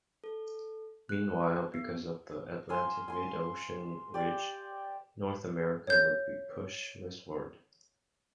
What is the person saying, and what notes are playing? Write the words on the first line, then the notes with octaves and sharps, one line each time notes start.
Meanwhile, because of the Atlantic mid-ocean ridge, North America would be pushed westward.
A4
F#6
B3
F5 G#5 C6
G#5 C6
G4 D5
C#5 G6